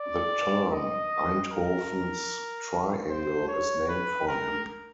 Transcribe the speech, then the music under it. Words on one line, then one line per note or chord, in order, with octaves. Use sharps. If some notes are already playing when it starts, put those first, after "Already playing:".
The term Einthoven's triangle is named for him.
Already playing: D5
D#5
A#4
C5
C#5
B4
A#4